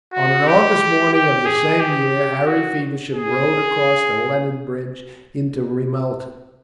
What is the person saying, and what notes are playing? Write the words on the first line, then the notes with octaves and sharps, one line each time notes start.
On an August morning of the same year Harry Feversham rode across the Lennon bridge into Ramelton.
F#4
G4
G4
G#4
G4
F#4
G#4